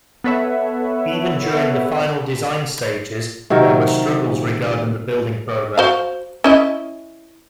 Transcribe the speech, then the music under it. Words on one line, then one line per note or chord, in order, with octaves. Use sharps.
Even during the final design stages there were struggles regarding the building program.
B3 A4 B4 C#5 E5 F#5
C3 D#3 F#3 A#4
F#4 C5 F5
C#4 E4 D#5